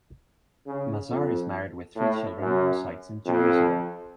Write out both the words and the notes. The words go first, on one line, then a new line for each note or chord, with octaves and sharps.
Mazar is married with three children and resides in Jerusalem.
C#3
F2
A2
F#2
F2